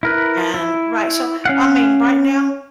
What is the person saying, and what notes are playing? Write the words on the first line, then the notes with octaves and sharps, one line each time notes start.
And right, so, I mean, right now,
E4 A#4 B4
E4
C#4 F5 F#5